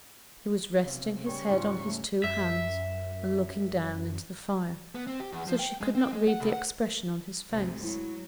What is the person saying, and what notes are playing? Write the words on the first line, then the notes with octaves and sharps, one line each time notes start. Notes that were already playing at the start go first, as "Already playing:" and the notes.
He was resting his head on his two hands, and looking down into the fire, so she could not read the expression on his face.
B1 C3
C#3 G3 C#6
E2 G#2 F4 F#4
A3
F#2 E5
B3
C4
G4
E2
F3
G5
G#3
C4
G#3
F#5
C2
F#5
D2 G#2 C3
F#3 E4